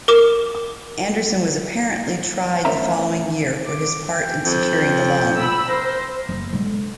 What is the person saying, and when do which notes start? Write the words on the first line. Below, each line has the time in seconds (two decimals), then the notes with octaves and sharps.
Anderson was apparently tried the following year for his part in securing the loan.
0.08 A#4 D6 E7
2.65 A2 C#4 A#4 C5 E5 A#5
3.67 D6
4.13 G5
4.45 F2 G5
5.36 B5 E6
5.68 A#4 C5
6.29 F#1
6.53 D3 G#3